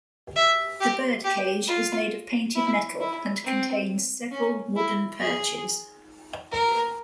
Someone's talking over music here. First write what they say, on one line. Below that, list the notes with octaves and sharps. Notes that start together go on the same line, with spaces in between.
The birdcage is made of painted metal and contains several wooden perches.
E5
G4
G4
F4
E4
E4
C4
C#4
E4
G#4
A#4